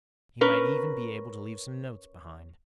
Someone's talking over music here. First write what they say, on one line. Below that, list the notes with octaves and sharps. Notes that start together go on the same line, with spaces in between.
He might even be able to leave some notes behind.
C#4 A#4 B4